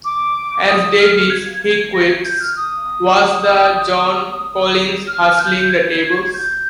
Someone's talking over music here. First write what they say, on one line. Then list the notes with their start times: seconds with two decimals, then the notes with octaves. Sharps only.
As Davis he quips: Was that Joan Collins hustling the tables?
0.05 D6
0.68 D#6
0.99 F6
1.30 G#6
1.93 A#6
2.09 G#6
2.25 G6
2.40 F6
2.56 D#6
5.08 F6
5.39 G6
5.70 G#6
6.34 G6